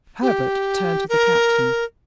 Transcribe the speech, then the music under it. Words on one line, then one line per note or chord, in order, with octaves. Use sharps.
Herbert turned to the Captain.
G4
A#4